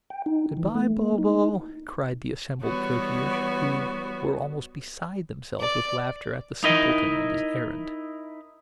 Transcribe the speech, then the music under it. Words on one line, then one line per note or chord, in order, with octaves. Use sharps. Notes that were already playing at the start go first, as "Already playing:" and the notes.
"Good-bye, Bobo," cried the assembled courtiers, who were almost beside themselves with laughter at the simpleton and his errand.
G5
D#4
E3
A3
A#3
D#4
E3 G3 B3 F#4 C#5
D5
D#4 E4 A#4 D#5